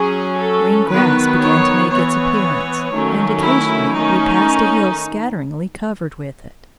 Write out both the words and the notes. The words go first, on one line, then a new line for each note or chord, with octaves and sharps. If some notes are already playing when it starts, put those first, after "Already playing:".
Green grass began to make its appearance, and occasionally we passed a hill scatteringly covered with it.
Already playing: F#3 C#4 G#4
A4
D#3 F#3 B3 B4
C#5
E3 B3 C#5
D#3 F#3 A3 C#4
E4
D#3 A3 C#4 D#4